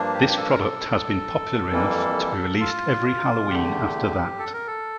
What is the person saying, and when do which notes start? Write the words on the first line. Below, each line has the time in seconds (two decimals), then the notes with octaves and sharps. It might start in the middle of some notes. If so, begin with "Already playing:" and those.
This product has been popular enough be released every Halloween after that.
Already playing: G2 F3 A#3 D4
0.14 G4
0.37 A4
0.49 A#4
0.59 A4
1.70 F2 E3 G3 A#3
2.61 F4
3.50 E2 D3 A3 G4
4.39 A4
4.53 A#4
4.67 A4